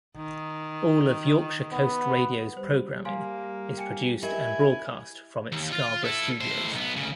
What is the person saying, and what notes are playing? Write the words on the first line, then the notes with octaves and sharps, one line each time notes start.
All of Yorkshire Coast Radio's programming is produced and broadcast from its Scarborough studios.
D#3
B3
G3 C5
G3 A#3 F5 G#5 C6
G5 G#5 C#7
E4 G4 A#4 D#5 G#5
D#2
F4
E4 A4
A2 C5
B1 B3
D2 C#3